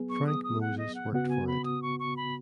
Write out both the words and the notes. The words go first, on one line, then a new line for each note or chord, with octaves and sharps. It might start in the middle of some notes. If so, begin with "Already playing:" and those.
Frank Moses worked for it.
Already playing: F#3 B3 G#4
C#6
D#6
D#6
F#5
D#5
F#5
C#3 B3 F#4 F#5
G#5
B5
D#6
C#6
C#6
B5